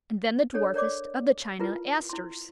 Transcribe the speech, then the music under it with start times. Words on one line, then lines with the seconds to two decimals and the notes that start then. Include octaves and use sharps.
And then the dwarfest of the China Asters.
0.54 D4 A4 C#5
0.74 A#4 C#5 D5 D6
1.60 E4 F4 A#4 B4
2.09 E4 C6